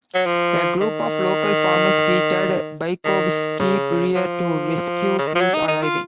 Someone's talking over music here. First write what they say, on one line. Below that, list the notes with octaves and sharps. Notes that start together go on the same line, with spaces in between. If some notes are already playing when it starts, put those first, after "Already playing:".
A group of local farmers greeted Bykovsky prior to rescue crews arriving.
F#3
F3
D#3
D#3
C#3
F3
C#3
D#3
F3
F#3
D#4
D#4
F4